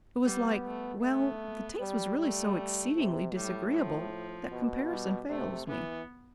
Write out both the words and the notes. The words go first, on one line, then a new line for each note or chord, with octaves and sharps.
It was like--well, the taste was really so exceedingly disagreeable that comparison fails me.
G3 B3
A3
A3 B3
G3
G3 A3
C3
A2 G3
F3
B2
G3
C3 A3
E3 B3